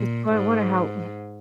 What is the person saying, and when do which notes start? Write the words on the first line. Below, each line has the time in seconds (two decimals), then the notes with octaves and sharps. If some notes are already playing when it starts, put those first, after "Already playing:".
That's why I wonder how ooh,
Already playing: A#2
0.32 G#2